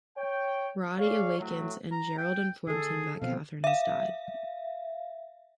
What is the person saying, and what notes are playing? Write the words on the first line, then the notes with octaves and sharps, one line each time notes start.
Roddy awakens and Gerald informs him that Katherine has died.
C#5 G5
G#4 C#5 D5 F5
A2 F#3 A3
A#5
G5
D3 G#4 A4
B2 F3 C4 F5
E5 F5